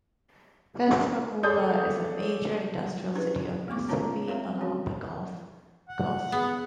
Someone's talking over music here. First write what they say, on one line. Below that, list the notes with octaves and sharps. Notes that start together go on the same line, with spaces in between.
Pascagoula is a major industrial city of Mississippi, along the Gulf Coast.
G#4 A4 C#5 D5 D#6 G6
C#4 D4 E4 G4 G#4 B4
G#3 A3 B3 C#6 D6
C#4 F4 C#5 A5 A#5
G3 G#3 C4 A#4 C#5 F5
C#4 F#4 C#5
F#5
B3 G#4